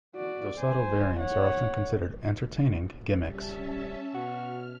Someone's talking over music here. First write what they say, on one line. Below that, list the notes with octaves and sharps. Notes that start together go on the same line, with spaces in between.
Dosado variants are often considered entertaining "gimmicks".
F#4 D5
C5 G#5
C#5 F#5
G3 C#4 E5 A5
B2 F#4 F6